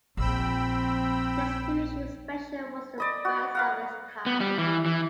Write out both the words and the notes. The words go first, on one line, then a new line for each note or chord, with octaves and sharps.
This two-issue special was the first of its kind.
A#1 F3 C4 G5 B5 E6
D5 D#5 B5
F#4
B4 F5 F#5
B3
G3
E3
E3